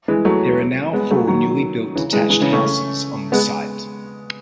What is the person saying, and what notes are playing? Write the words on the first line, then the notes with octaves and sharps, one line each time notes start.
There are now four newly built detached houses on the site.
E3 G#3
F#3 A3
G#3 B3
F#3 A3
D#3 F#3
C#3 E3
E3 G#3
E3 G#3
C#3 E3
A3 C#4
G#3 B3